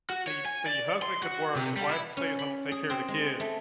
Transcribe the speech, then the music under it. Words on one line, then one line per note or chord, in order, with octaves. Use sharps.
The the husband could work, the wife would stay at home, take care of the kid,
F#4
C#5
G#5
D5
C6
F#4
C3
G3
E4
C#4
B5
G#4
C4
G#3
A3